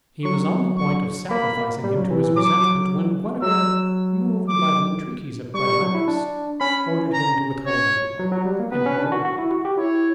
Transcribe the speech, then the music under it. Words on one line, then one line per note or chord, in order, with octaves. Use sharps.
He was on the point of sacrificing him to his resentment, when Guenever, moved by the entreaties of Brademagus, ordered him to withhold the blow, and he obeyed.
F#3 C#6
C#6
A#3 B5
A#3
G3
F#3
E3
E3
F#3 D6
F#3 E6
D6
G3 C#6
G3
F#3
E4
D4
C#4 B5
A#5
C#5
F#3
F#3
G3
A#3
B3 B4
C#4
D4
F#4
F#4
E4
F#4
G4
E4 C#5